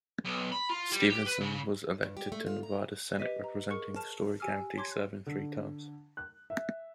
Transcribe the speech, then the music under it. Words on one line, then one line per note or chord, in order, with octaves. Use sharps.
Stevenson was elected to Nevada Senate representing Storey County, serving three terms.
B1
B5
F4
G3
G4
B4
C#3
G2
G4
A3
F4
A#5
G4 B4 C5 D#5 B6 D#7
A#5
G#4 A#4 C#6 C#7
C5 A5 F6
G4 G#5 D6 E6 F6
C#5 A5 C6 D6 G#6
D3
F#6
E5